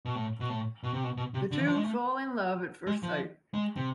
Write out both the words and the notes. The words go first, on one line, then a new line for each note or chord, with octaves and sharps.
The two fall in love at first sight.
B2
A2
B2
A2
B2
C3
B2
B2
C3
D3
E3
F3
G#3
A3
G#3
F3
G#3
C3